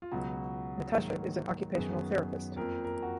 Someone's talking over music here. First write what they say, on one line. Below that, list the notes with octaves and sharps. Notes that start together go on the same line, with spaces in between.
Natasha is an Occupational Therapist.
F4
C#2 B2 F#3 F#4
G#2 D#3 F#3 A#3
F#2 D#3 F#3 B3 G#4
F2 F3 A#3 A#4
A#4
F#4